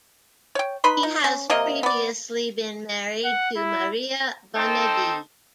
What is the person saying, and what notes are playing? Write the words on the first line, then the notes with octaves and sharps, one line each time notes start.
He has previously been married to Maria Bonnevie.
C#5 G5
D#4 B4 B5 C6
D#4
C#4
C3 A#3 A#4 D#5
B3 D5
F#5
E4
C4 D#4 A4 C5 G5 A5